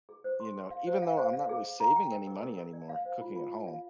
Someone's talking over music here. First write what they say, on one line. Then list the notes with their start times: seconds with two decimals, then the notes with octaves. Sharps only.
you know, even though I'm not really saving any money anymore cooking at home,
0.09 G#4
0.24 C5
0.40 C6
0.56 G#4
0.71 F5
0.87 C5
1.02 F5
1.17 C5
1.33 F5
1.49 G#4
1.65 F5
1.80 A#5
1.96 G5
2.12 A#4
2.27 A#4
2.43 A#4
2.58 A#4
2.73 D5
2.89 F5
3.05 C5
3.21 F4
3.36 F4
3.52 F4
3.67 F5